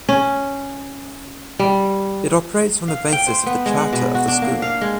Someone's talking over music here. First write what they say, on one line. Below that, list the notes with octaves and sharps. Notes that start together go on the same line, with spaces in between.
It operates on the basis of the charter of the school.
C#4
G3
F5
G5
C5
B3
G#3
F#5
B2
F#4
D4
A#3
F5
G#3